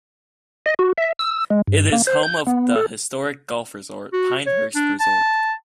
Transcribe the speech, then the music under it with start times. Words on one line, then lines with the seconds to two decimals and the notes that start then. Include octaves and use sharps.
It is home of the historic golf resort, Pinehurst Resort.
0.66 D#5
0.79 F#4
0.98 E5
1.19 E6
1.50 G#3
1.67 G2
1.93 A#3
2.07 C5
2.23 G6
2.47 B3
2.76 A4
4.13 F#4
4.46 C#5
4.75 D4
5.00 A5